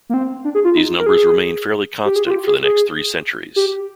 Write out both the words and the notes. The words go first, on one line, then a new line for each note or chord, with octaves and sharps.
These numbers remained fairly constant for the next three centuries.
A#3
C4
D4
G#4
F4
D#4
A#4
G#4
G4
G#4
F4
G4
G#4
G#4
G4